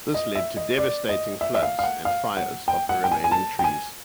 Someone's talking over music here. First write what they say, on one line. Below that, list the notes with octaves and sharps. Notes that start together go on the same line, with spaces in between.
This led to devastating floods and fires of the remaining trees.
D#5
E5
D#5
D5
D#5
E5
E5
F5
F5
F#5
F5
F#5
G5
F#5
G5
G#5
G#5
A5
G5
G#5